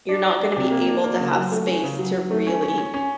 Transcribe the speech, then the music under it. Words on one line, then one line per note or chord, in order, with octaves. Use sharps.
you're not gonna be able to have space to really,
D4
D4
D4
C3
A#3
D4
A#3
C#3
F#3
A3
C#4
C#3
F#3
F#3
A3
C#4
C#4
C#4
C#4